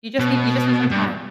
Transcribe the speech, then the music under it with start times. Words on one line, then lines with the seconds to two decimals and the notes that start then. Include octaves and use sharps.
You just need you just need some time.
0.19 B2
0.91 G2